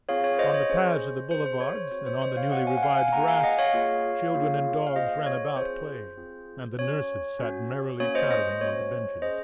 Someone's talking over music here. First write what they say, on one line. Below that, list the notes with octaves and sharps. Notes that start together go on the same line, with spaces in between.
On the paths of the boulevards and on the newly-revived grass, children and dogs ran about, playing, and the nurses sat merrily chattering on the benches.
C4 F4 G#4 C#5 F5
C#5
C5 D#5
C#5
C#4 G#4 C5
C#4 G#4 C5
C5
C#5
C5
C4 F#4 C#5
C5
C5 D#5
C#5 F5
C4 F#4 D#5 F#5
F5 G#5
F#5
F5 G#5
F5 G#5
A#3 F4 G#4 F#5 A#5
F5 G#5
D#5 F#5
C#5 F5
A#3 F4 G#4
A#3 F4 G#4
F5
A#3 F4 G#4 C5 D#5
C#5
C4 F4 G#4 C5
C4 F4 G#4
C#4 F#4 C#5
C#4 F#4
A#3 C#4 F#4 C#5
C5 D#5
C5 D#5
A#3 C#4 F#4 C#5
C#4 G#4 C5 D#5